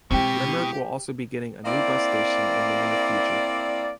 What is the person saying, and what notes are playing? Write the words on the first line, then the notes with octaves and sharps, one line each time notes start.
Limerick will also be getting a new bus station in the near future.
B2 G#3 C4 E4 G4 G5
A#3 C4 E4 D5